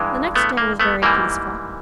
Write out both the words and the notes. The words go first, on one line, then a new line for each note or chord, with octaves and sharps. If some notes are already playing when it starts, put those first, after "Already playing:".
The next day was very peaceful.
Already playing: G2 E3 G#3
A3 B3
A#3
A3 B3
G#2 E3 G3 A#3